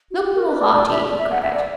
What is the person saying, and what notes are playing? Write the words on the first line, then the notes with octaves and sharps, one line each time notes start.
"Look more hearty!" he cried.
F#4
G4
A#4
B4
D5
D5
E5
D5
E5
F#5
E5
D5